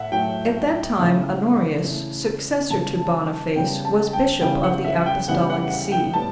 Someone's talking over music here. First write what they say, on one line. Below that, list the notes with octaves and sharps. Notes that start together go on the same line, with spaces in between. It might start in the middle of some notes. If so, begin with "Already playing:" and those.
At that time Honorius, successor to Boniface, was Bishop of the Apostolic see.
Already playing: A2 A3 E5 F#5
A2 F#3 A3 G5
C#3 E3 A3
C#3 E3 A3
C#3 G3 B3 A5
C#3 G3 B3 G5
A5
G5
C#3 E3 G3 B3 G5
F#5
E5
G5
C#3 E3 G3 B3 F#5
F#5
F#5
G5
A2 G3 B3 A5